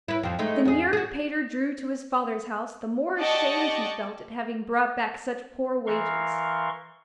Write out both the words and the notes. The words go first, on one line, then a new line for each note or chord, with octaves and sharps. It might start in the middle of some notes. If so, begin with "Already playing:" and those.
The nearer Peter drew to his father's house the more ashamed he felt at having brought back such poor wages.
E4 B4
F2 F3
G#3 A3 D#4
E2 G#4
F#4 G#4
G4 D5 D#5 F#5 A5 C#6
E3 A#4 F5 C6 C#6